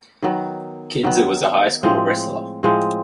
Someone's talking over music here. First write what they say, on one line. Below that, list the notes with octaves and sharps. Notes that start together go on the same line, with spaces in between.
Kinser was a high school wrestler.
D#3 F#3 B3
D#3 F#3 B3
A2 F3 G#3 C4
A2 F3 G#3 C4